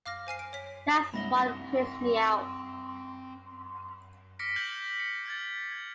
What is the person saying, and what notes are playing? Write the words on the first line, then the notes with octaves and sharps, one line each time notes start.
That's what creeps me out.
F5 D6 F6 A#6
C5 G#5 F6 C7
D7
C#5 B6
C2 G2 C4 E5 F#5 B5 A#6 G7
D6 F6 A#6 B6 C#7 D7
F6 G6 G#6 F#7 G7
C#7
F6 G#6 A6
G#6